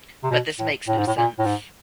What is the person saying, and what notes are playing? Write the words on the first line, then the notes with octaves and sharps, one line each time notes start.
But this makes no sense.
C3
B2
A2
A2
G#2
A2
A#2
A2
G#2